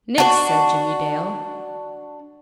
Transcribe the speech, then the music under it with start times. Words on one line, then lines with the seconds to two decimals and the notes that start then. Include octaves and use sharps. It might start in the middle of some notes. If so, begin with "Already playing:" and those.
"Nix!" said Jimmie Dale.
0.18 D4 F#4